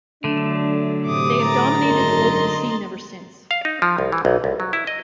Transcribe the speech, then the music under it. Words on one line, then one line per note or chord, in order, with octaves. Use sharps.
They have dominated the local scene ever since.
D3 F#3 A3 D4
A2 C3 D6 D#6
F#3 A#5 A6
G#1 F#2 A#4 D#5 C6
F5
D#4
F3
C2
E3
B1
C2
F#3
E4
D#5